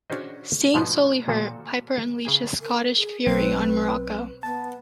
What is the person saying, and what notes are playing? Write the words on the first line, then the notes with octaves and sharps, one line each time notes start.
Seeing Solie hurt, Piper unleashed his Scottish fury on Muraco.
C#4 D4 F#4 G#4 C5 D#5
G#2 B2 F3 B3 D4
A#2 F3 F#4 A4
C#3 G#4 G#5
A#4
G#4
B1 B2 F#3 C4 B4
B3 A5